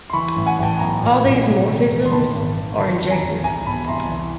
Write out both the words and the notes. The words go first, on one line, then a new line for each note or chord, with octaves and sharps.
All these morphisms are injective.
C6
E3 B5 C#6
A1
F#5 G#5
A1 G5 A5
B1 G#5 A#5
A#2
B1
C3
D#3
E1
C6
D#3 A5 B5
G#1
G#1
D#3 A5 B5
E1
G#5 A#5
E1
C2 G#5 A#5
B2 A5 B5
C2 A#5 C6
E3